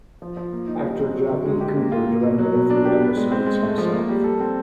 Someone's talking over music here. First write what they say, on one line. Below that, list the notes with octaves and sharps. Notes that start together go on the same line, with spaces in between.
Actor Jackie Cooper directed a few episodes himself.
F3
F3
A#3
D#4
G3
C4
F#3
D3
G#3
G4
A#3
F4
A#3
B2
F#3
B2
D4
G4
B3
G#3
C4
G#3
A3
F3
A#3
G3
A4
C4